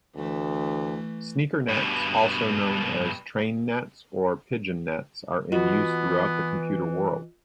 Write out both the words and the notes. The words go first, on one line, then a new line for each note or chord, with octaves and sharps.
Sneakernets, also known as trainnets or pigeonets, are in use throughout the computer world.
D2 E3 A3
G2 B2
E3 B3 F4 F#4 D#5